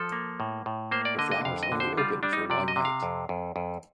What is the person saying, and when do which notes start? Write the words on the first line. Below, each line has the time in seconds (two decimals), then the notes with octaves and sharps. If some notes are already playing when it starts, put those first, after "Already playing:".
The flowers only open for one night.
Already playing: F3 A4
0.12 A#3
0.40 A2
0.66 A2
0.91 A#3 C5
1.05 D5
1.19 D3 D#5
1.31 D#5
1.45 F2 F5
1.63 D#5
1.72 D3
1.80 C5
1.97 G3 F4
2.23 G3 D4
2.33 D#4
2.50 C3 D5
2.68 D#5
2.76 C3
2.85 F5
3.03 F2
3.29 F2
3.56 F2